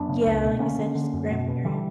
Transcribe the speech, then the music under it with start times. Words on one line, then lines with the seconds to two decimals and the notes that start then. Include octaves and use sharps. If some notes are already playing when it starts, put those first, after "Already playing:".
Yeah, like I said, just grandparents,
Already playing: F#2 B3 D4
0.09 C#3
0.26 C#2
0.43 B2
0.60 D3 A#3 C#4
0.79 D3
0.95 D3
1.14 F#2
1.31 B2
1.48 B2
1.65 D3 E3 G3